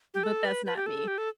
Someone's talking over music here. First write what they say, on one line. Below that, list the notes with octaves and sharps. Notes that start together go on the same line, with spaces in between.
but that's not me,
G4
A4
B4
B4
G4
A4
G4
A4